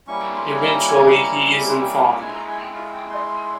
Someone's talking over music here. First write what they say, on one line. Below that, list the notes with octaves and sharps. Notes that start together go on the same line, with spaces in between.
Eventually he is informed.
G3 A#3 C#4 E4 C#6
C6
G#5
A#5
G#5
A#5
C6
G5
F5
G5
G#3 E4 G#5
A#5
G#5
G5
F5
G5
C6